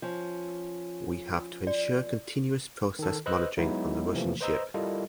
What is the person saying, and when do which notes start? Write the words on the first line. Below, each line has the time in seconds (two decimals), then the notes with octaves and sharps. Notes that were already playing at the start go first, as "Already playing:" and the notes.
We have to ensure continuous process monitoring on the Russian ship.
0.02 F3 C#4
1.67 D5
2.99 D#3 A4
3.26 B4 C5 D#5 E6 F#6
3.57 F#3 G#3 B3 D#4 E4
4.14 C3 E3 F3 A3 A#3
4.41 B4 C5 D#5 A#5 E6
4.74 G3 E4 F4 A4 A#4 D#5